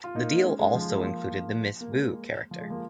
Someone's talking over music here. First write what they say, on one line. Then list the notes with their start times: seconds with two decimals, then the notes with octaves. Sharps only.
The deal also included the Miss Boo character.
0.04 F4
0.15 A#3 D#4
0.37 D#4
0.45 G#3 C#4
0.60 G#3
0.75 F3
0.89 G#3
1.04 F3 A#3
1.81 A#3
1.92 G#3
2.51 F3
2.61 G#3
2.70 F3 A#3